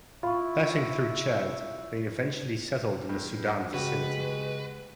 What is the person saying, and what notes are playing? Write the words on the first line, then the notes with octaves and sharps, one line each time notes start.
Passing through Chad, they eventually settled in the Sudan vicinity.
E4 F4 B5 C#6
E2 G2
C#3 G#3 F#4 G4 B4